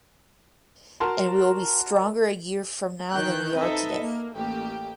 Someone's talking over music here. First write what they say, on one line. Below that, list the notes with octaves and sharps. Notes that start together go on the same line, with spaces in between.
And we will be stronger a year from now than we are today.
F#4 A#4 A5 C6
D#3 E3 G5 F#6 G6
C4 D#4 A4 B4 D#5 E5
A#3
A1 A#3 G4 G5